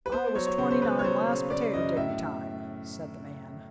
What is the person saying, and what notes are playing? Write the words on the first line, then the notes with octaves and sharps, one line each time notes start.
"I was twenty-nine last potato-digging time," said the man.
B4
B3 C5
F#3 C#5
C#5
C#3 C5
C5
B3 B4
C#5
F#3 C5
C#3
C#3 D5
F#2 D#5
A2 E5